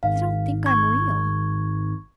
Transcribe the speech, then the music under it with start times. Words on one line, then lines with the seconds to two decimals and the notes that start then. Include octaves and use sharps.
They don't think I'm real.
0.03 G#1 F5
0.66 C#6 G#6